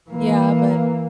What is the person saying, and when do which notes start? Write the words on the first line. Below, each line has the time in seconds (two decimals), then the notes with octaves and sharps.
Yeah, but
0.10 E3 A#3